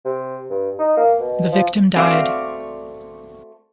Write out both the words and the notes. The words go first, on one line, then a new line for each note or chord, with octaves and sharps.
The victim died.
C3
G2
D#4
A#3
B2
F3
A3 C4 F#4 C5 D5 F5